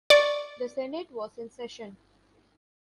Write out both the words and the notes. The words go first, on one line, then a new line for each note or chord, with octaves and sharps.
The Senate was in session.
D5 C#6